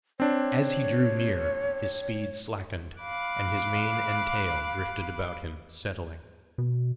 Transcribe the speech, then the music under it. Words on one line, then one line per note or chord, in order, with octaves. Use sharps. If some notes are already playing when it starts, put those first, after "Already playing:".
As he drew near, his speed slackened, and his mane and tail drifted about him settling.
C4 D4 C#5
F5 B5 D6 F#6
B2